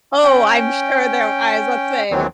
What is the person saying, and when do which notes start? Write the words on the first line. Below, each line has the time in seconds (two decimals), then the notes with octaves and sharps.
Oh, I'm sure there I was about to say.
0.24 C#4 G5
2.11 D#2 D#3 E3 F#3 C4